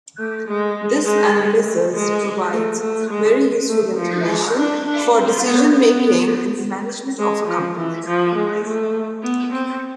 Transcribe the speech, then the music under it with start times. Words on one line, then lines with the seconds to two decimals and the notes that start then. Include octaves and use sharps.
This analysis provides very useful information for decision-making in the management of a company.
0.18 A3
0.48 G#3
1.05 G#3
1.64 A3
1.93 G#3
2.52 A3
2.80 A3
3.10 G#3
3.69 A3
3.97 F3
4.26 G#3
4.56 D4
4.86 D4
5.14 C4
5.43 B3
5.72 B3
7.19 G#3
7.47 F3
7.77 E3
8.06 F3
8.35 G#3
8.64 A3
9.23 B3
9.53 C4